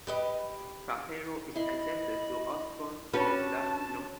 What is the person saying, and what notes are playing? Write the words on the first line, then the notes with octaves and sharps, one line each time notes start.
Taperoo is adjacent to Osborne and Largs North.
G4 B4 D#5
E4 D#5 B5 C6
C#4 D4 F#4 G4 B4 G#5 A5